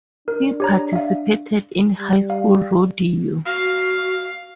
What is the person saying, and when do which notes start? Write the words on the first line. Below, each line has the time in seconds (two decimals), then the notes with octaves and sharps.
He participated in high school rodeo.
0.28 D4 A#4
0.60 G4 C#5 A#5
0.93 E5 F5
1.99 G3
2.30 F5
3.45 F#4 F5